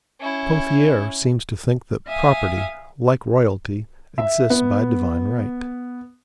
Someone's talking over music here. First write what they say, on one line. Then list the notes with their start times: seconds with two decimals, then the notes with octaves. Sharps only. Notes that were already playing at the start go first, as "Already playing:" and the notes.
Pothier seems to think that property, like royalty, exists by divine right.
0.20 C#4 E4
2.07 E5 F5 G#5 D#6
4.18 E5
4.50 B3